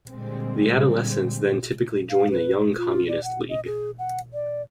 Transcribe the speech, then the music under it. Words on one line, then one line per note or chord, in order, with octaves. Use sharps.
The adolescents then typically join the Young Communist League.
A#2 D3 G3 G#3 C4
F5
B4
G#4
F4
D5
F#5
D#5
G#4
F#5
D5